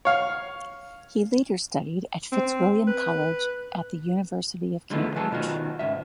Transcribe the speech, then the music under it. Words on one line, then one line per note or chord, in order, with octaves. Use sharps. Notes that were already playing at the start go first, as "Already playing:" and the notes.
He later studied at Fitzwilliam College at the University of Cambridge.
C#5 F5
C4
B4
D3 E3 F3 G#3 A3 B3
E3 F#3 A3 G#4 A4
B2 D#3 F4 F#4
C#2 G#2 E5